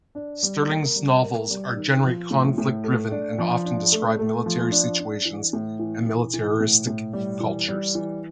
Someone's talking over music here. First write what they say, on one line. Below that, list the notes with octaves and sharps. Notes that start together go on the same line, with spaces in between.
Stirling's novels are generally conflict-driven and often describe military situations and militaristic cultures.
D4
G3
A#3
G3
A#3
G3
D#3
F3
A2
A2
A3
D4
F3
D4
A3
A3
F3
D4
D4
E3
A2
E3
E3
E3
A2
A2
G3
E3
G3
E3